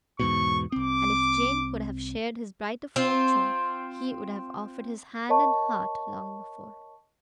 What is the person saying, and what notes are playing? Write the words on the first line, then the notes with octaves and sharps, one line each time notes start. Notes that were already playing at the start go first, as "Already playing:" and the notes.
And if Jane could have shared his brighter fortune, he would have offered his hand and heart long before.
E2 G#2 B2 C#6
C2 C4 D6
C4 F4
A#4 C#5 D#5 A5 C#6